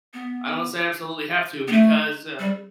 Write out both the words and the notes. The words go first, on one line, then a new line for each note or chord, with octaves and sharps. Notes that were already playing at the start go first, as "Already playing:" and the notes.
unless I absolutely have to, because, uh
B3
B3
A3
G3